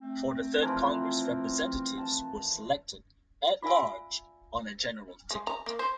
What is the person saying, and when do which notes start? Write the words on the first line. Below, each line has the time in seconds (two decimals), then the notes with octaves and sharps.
For the third Congress Representatives were selected At-large on a general ticket.
0.01 A3 C4
0.62 E3 F3 A#4
1.98 A5
3.63 F4 D5 E5 F5 G#5 E6
5.31 G#3
5.47 A#5
5.66 A#3
5.79 C5